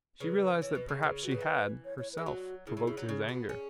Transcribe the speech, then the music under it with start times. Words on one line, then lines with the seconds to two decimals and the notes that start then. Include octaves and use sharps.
She realized that perhaps she had, herself, provoked his anger.
0.20 C#3 B4
0.62 E3 C#5
0.75 B2 B4
0.89 C#3 G#4
1.03 C#3 B4
1.23 E3 F#4
1.31 C#3 B4
1.41 E3
1.85 C#5
1.98 C#5
2.13 B4
2.18 G#3
2.26 F#3 F#4
2.67 C#3 E4
2.77 C#3
2.87 C#3
2.97 F#3 E4
3.08 C#3 C#4
3.28 B3 F#4
3.49 C#4 G#4